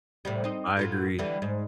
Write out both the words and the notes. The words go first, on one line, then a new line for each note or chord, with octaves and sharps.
I agree.
A2 C3 G3
C4 D#4
A2 F#3 F4
D3 E3 G3
G#2